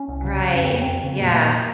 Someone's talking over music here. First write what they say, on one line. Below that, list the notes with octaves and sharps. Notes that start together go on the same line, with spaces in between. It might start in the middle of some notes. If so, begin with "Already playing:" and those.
Right. Yeah.
Already playing: C#4
C2
C#3
C#3
F2 C#4
C4
F2 A#3
C4
F2
C#3
A#2 A#3
A3
A#2 A#3